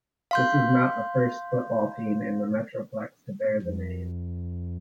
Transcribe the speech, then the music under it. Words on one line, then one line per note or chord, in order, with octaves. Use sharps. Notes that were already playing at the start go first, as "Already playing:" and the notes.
This is not the first football team in the Metroplex to bear the name.
F5 C6 G6
F2